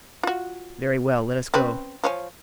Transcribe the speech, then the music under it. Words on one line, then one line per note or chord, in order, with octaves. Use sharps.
"Very well; let us go."
F4 F#4
C4 C#4 B4
F3 C#5 G#5